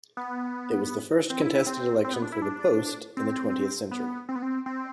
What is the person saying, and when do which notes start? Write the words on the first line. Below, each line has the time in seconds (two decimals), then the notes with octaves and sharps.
It was the first contested election for the post in the twentieth century.
0.17 B3
1.30 C4
1.42 E4
1.55 E4
1.67 C4
2.04 C4
2.14 B3
2.22 D4
2.32 E4
2.42 D4
3.17 C4
3.91 B3
4.29 C4
4.36 B3
4.42 C4
4.66 C4